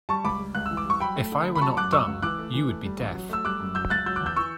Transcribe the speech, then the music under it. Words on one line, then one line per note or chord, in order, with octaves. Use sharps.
If I were not dumb, you would be deaf.
G3 A5 C#6
C#2 B5 D6
G3
C#2 F#6
E6
E3
D6
G3 C#6
F#3 G5 B5
A3
D3
A3
B5
F#3 A5 C#6
F#2 D6 F#6
F#3 C#6 E6
C#2
E3 D6 F#6
A3
E3
A3
G3
A1
F#3
A3 E6
G3 D6 F#6
F#2
F#3 E6 G6
C#2 F#6 A6
F#3 E6 G6
E2 D6 F#6
E6 G6
E3 C#6 E6